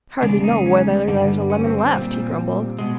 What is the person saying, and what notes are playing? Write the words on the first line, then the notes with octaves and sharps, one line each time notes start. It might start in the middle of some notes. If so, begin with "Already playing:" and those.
"I hardly know whether there's a lemon left," he grumbled.
E2 C#3 G#3 D4
D#4
C#4
G2 D3 G3
C#4
C4
C4
A#2 G3
B2 G#3